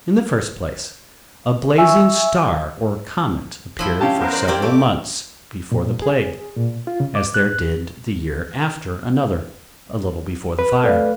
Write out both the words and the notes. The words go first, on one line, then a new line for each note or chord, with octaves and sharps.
In the first place, a blazing star or comet appeared for several months before the plague, as there did the year after another, a little before the fire.
E5 G#5 C#6 E6
F3 E4 G5
C#4 G4 F5 A5
B3 A#4 C5
D5
A#3 C4 G4 D5
A3 D6
A#2
G#4
A#2
F4
C#3
D6
F#6
B4
A3 D5 F5